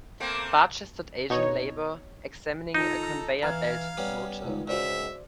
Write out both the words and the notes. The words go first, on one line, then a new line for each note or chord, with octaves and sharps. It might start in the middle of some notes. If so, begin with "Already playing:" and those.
Barechested Asian laborer examining a conveyor belt motor.
A3 A#3 C4
B2 D#4 C#5
D#3 D#4 F4 A4 A#5
E3 F5 A#5 F6 G#6
G3 B3 C#4
C#2 D#3
C#2 G#2 C#3 F#4 C5 D5 E5